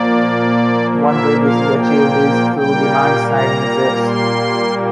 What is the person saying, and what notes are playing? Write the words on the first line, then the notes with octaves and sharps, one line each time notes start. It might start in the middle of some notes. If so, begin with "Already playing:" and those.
One way this is achieved is through demand-side measures.
Already playing: A#2 F3 A#3 D5
E5
F5
G5
A#2 G3 A#3 G5
A#5
C6